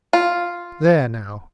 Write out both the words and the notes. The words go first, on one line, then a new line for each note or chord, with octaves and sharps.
'There now.
F4